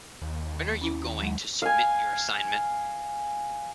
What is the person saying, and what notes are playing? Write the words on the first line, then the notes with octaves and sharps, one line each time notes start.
When are you going to submit your assignment?
D#2
C#4 E4
F#3 G#3 F#5
F5 G#5